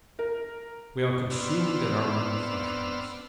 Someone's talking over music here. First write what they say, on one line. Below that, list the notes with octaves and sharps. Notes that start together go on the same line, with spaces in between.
We are consumed in our own flesh-pots.
A#4
B3 C4 D4 E6 F6